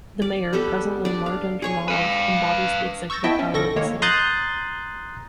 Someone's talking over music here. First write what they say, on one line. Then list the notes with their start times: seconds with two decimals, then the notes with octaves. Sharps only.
The mayor, presently Mardan Jamalov, embodies the executive power of the city.
0.22 D5
0.53 G3 B3 G4 A4
1.05 D4 D5
1.26 F5
1.62 G#4 C#5 C#6
1.88 B4 F5
3.10 C#6 E6 G6 A6 A#6
3.24 B3 E4 D#5 E5 G5 A5
3.39 C#4
3.53 B1 D3 A4 C#6 A#6
3.76 D#3 G#3 A#3 C#5
4.02 A#5 C6 D#6 F#6 G6 A6